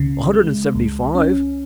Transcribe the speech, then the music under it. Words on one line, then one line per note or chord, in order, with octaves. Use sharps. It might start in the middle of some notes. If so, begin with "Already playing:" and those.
"A hundred and seventy-five."
Already playing: C#2 C#3
G#3
C#2
C#4